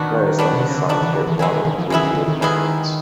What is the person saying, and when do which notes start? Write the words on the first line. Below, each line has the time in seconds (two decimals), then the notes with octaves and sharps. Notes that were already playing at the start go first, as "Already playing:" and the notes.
Players can be signed for one or two year contracts.
Already playing: D#3 B3 D4 F#4
0.39 B3 D4 F#4
0.53 C3
0.65 C#3
0.77 D3
0.89 D#3 B3 D4 F#4
1.02 E3
1.14 D3
1.27 E3
1.39 E3 G#3 B3 E4 G#4
1.53 D#3
1.65 D#3
1.78 F3
1.90 E3 G#3 B3 E4 G#4
2.03 D#3
2.16 D3
2.28 D#3
2.42 G#3 B3 E4 G#4